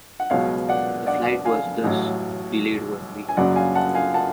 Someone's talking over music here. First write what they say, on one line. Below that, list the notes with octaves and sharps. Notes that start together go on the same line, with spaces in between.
The flight was thus delayed one week.
F#5
C#2 B2 F#3 C#5 F5
D5 F#5
D5 F#5
F5 G#5
A1 A2 F#3
G#5
F#1 F#2 C#3 F#3 D5 F#5
F5 G#5
F#5 A5
F5 G#5
F#5 A5